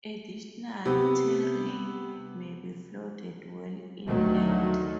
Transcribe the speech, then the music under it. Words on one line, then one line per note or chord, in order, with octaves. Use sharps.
Additionally, terrain may be flooded well inland.
C3 B3
D2 D#3 F#3 A3